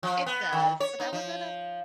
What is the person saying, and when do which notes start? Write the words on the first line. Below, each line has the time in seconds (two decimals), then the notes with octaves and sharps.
it does, but I was at a
0.03 F3
0.26 B3
0.53 D#3
0.80 C#5
1.00 D#4
1.13 F3